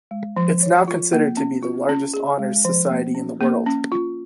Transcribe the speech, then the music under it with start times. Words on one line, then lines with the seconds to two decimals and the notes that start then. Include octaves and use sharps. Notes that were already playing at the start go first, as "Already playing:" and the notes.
It's now considered to be the largest honors society in the world.
0.11 G#3
0.37 F3
0.62 C#5
0.88 F4
1.13 A#3
1.37 C#4
1.63 F4
1.89 C#4
2.14 G#4
2.39 G#3
2.65 F3
2.89 A#3
3.15 C#4
3.41 A#3
3.67 C#4
3.92 F4